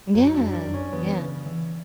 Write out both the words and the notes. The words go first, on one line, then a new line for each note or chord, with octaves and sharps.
Yeah, yeah.
F#2 F#3
D4
F#2
D4
F#2
C#4
E3 B3
C#3
E3